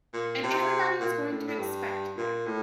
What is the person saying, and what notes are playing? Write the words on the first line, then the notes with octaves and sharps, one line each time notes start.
And everybody is going to expect that.
A#2
C3
A#2
A2
A2
G2
A#2
A2